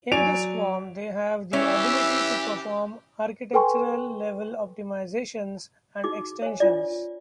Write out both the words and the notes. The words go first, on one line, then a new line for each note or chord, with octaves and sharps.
In this form, they have the ability to perform architectural level optimizations and extensions.
F#3 D5 G#5 D7 F7
E3 C#4 G4 E5
A4 B4 G5 G#5 C6 C#6
D#4 F#4 G#4 D6
C#5 G#5
D4 F4 D5